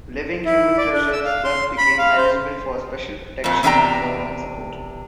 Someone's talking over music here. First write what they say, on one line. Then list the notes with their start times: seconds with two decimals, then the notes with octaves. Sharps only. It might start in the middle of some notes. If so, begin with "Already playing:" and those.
Living Human Treasures thus became eligible for special protection and government support.
0.45 E4
0.77 D5
0.93 D4
1.13 E6
1.24 F5
1.44 C6
1.78 B5
1.98 F5
2.17 C5
3.44 F2 A#2
3.63 E2 C3 D4 E4 G5 A#5